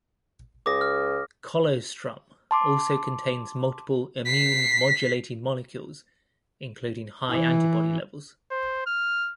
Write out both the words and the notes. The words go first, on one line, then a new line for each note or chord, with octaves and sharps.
Colostrum also contains multiple immune modulating molecules, including high antibody levels.
C#2 D6 D#6 A#6
F6
A5 C6 D6
B6 C7
E3
C5
F6